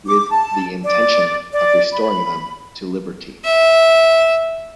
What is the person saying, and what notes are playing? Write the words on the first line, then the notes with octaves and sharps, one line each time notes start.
With the intention of restoring them to liberty.
D6
A5
D5
D5
B5
E5